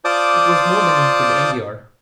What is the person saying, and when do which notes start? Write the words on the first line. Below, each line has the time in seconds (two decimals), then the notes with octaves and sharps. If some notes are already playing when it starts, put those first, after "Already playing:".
It was more than he could endure.
0.05 F4 C5 D5 A5 D6 D#6